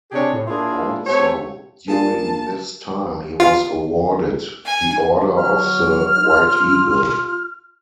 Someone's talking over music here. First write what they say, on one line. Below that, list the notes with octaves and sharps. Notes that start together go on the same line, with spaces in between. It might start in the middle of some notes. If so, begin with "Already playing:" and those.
Also during this time he was awarded the Order of the White Eagle.
C3 D4 G4 G#4 C#5
A2
A#3 D4 E4 F4 G#4
A3 C4 G4 C#5
A#3 D4 F4 G#4 A5
F4
G#5
F#3 F6
F4